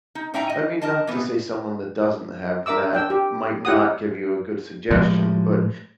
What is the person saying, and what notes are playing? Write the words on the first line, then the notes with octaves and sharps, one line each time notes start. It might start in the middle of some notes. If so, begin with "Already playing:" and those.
I mean, not to say someone that doesn't have that might not give you a good suggestion, but
D#4
A2 C#4 D#4 E5 G5 A#5
D#5
A#4 D#5 A5
E3 B3
D4 A#4 E5 D6 E6
D4 G5 E6
G4
E4 G4 F#5 D#6
A2 F3 G3 G#3